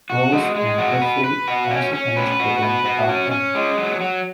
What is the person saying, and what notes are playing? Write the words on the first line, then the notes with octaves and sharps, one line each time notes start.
Rose and Griffey also finished within the top ten.
F#4
G#3
G#3
F#4
B4
B4
F#4
C#4
C#4
B4
F#4
B4
F#4
C#4
C#4
G#3
F#3
F#3